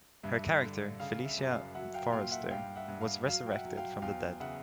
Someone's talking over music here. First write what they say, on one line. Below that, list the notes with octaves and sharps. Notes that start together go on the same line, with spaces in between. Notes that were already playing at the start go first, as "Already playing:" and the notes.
Her character, Felicia Forrester was resurrected from the dead.
G2 E5
D3
C#3 F5
E5
F#2
F5
F#3 E5 F#5
F5 G5
A#2 F5 G5
E5 F#5
G2 F5 G5
E5 F#5
G2
F5
F#3 F5
G5
E5 F#5
F#3
F5 G5
E2 F5 G5
C#3 E5 F#5